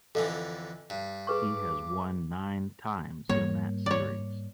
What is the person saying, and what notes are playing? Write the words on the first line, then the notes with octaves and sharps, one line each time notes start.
He has won nine times in that series.
F2 D3 E3 A4
G2
G#4 B4 C#6 D6
G#2 G3 A#3 C#5
C#5 D5